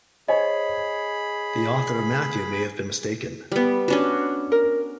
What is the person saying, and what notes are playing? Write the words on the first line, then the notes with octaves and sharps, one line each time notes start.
The author of Matthew may have been mistaken.
G#4 C5 C#5 D#5 G#5 B5
G3 B3
C#4 D4 F#4
A#4